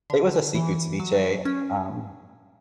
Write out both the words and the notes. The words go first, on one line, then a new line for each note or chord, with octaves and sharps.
it was a seafood ceviche. Um,
D3
E3
F#3
C#4